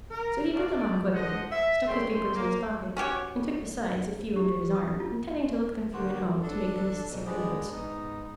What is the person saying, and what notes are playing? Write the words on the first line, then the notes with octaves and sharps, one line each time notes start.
So he put them on quickly, stuck his papers in his pocket, and took besides a few under his arm, intending to look them through at home to make the necessary notes.
A#4
G2 A3 B3 D4 D5 F5
G#2 D3 F3 C5 D#5 F#5
E5
A#2 G#3 A3 C#4 G5 C6
A#3
C#4 F#4 G4 C#5
G4
D#6
F4
D3 F#3 A#3 F#4 G4 C5
D4 A4
G#2 B2
G#2 G#3 B3 D4 G4 D#5
G#2 B3 D#4